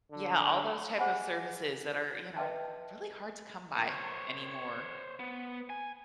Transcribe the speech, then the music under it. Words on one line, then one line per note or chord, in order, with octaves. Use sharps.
Yeah, all those type of services that are, you know, r really hard to come by anymore.
D3
G#4 C5 F#5 G#5 B5
B4 D#5 E5 G5 A5
C#2 A#3
C5 C#5
B3
G#5